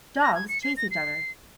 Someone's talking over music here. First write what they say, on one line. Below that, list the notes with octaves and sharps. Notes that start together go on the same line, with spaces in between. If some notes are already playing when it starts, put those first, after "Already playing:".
Dogs chase each other.
A#6
G#6
C#7
C7
A#6
C7